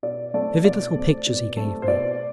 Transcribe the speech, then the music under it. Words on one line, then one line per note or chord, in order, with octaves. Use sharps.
Vivid little pictures he gave me.
B2 D5
A3 C4 D5
B2 D5
A3 C4
B2
A3 C4
C5
B2 D5